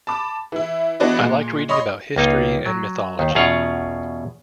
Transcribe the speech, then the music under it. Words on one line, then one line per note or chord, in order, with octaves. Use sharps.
I like reading about history and mythology.
A5 B5 D6
E3 E4
E3 B3 D4 F#4 B4 D#5
A#2 G#3
C#5 D#5 B5 C6 D#6
C#2 A#3 D#4 F4
F#3
D#2 D#3
E2 B2 C#4 F4 F5 F#5